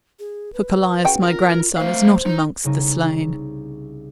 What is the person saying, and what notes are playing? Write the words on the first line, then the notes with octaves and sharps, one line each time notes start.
For Callias, my grandson, is not amongst the slain.
G#4
B4
C#3 F#4 G5
F4 A#4
A3 C5 F5
D#4
C2 C#3 D#4 C#6